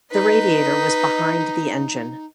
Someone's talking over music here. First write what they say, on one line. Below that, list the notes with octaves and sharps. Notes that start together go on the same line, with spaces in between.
The radiator was behind the engine.
D#4 B4 D#5